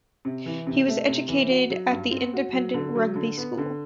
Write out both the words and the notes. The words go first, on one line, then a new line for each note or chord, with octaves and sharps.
He was educated at the independent Rugby School.
C3
E3
C3
A3
C3
E3
F#4
F#3
G2
C4
F#4
F#3
D3
F#3
D3
B3
D3